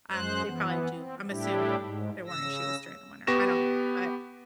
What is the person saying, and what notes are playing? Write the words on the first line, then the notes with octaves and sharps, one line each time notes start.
um, they probably do. I'm assuming they're wearing shoes during the winter. I don't, but
F#2 G#3 C5 F#6
E3 B3
C4
A2 G3 D4 E4 G4
G#2
C#3 E6 A#6
B3 G4 C#6 A#6 E7